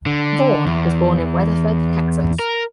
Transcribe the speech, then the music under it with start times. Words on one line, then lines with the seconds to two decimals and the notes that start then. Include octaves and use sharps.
Vaughn was born in Weatherford, Texas.
0.06 D3
0.66 E2
2.39 A#4